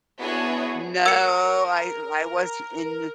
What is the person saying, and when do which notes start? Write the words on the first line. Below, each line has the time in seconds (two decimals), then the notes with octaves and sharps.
No. I I wasn't in
0.19 B3 D4 E4 F#4 G#4 C#5
1.06 A#4 E6 C#7